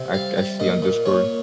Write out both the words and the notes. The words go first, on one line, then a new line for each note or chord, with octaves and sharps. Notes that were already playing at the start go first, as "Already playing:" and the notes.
I c I see on Discord.
Already playing: C3
G3 F5
G3
A#2 D#5
A#2
A#2 C#5